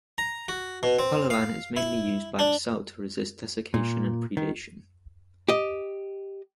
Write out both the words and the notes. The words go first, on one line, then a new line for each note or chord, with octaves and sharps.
Pullulan is mainly used by the cell to resist desiccation and predation.
A#5
F#4
B2
C4
F5
E4
D4
A#2
D#3
G4 D#5